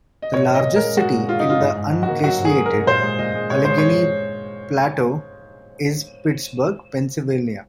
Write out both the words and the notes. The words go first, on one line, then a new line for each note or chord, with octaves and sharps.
The largest city in the Unglaciated Allegheny Plateau is Pittsburgh, Pennsylvania.
D#5
A#2 C#5
A#2 D#5
A#2
A#4
G#3
G#3 F#4
A#2
G#3 F4
D#4
G#3 F4
G#2 D#4
G#2
G#2
F#4
A#3
F#3 F#4
G#2
G#4
A#3
A#4
G#2
A#2 C5
G#3
A#2 D#5
G#3
A#2 C#5
G#3 C5
C#5